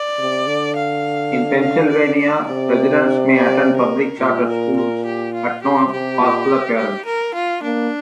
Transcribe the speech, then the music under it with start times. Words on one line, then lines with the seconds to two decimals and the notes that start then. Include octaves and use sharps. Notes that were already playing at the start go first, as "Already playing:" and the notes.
In Pennsylvania, residents may attend public charter schools at no cost to the parents.
Already playing: D5
0.19 C3
0.47 D3
0.76 F5
1.61 F5
1.90 D5
2.19 D5
2.48 C3 D5
3.33 D5
3.77 A#4
4.20 A#2 G4
4.49 A#4
4.77 A#4
5.06 G4
5.34 F4
5.63 G4
5.92 C3 G4
6.20 A#2
6.78 G4
7.06 A#4
7.35 F4
7.63 A#3 D4